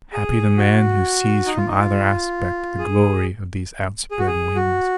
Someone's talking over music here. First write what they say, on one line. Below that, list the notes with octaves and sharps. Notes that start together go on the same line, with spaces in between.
Happy the man who sees from either aspect the glory of these outspread wings.
G#4
F#4
D#4
F4
D#4
F4
G#4
G#4
F#4
G#4
F#4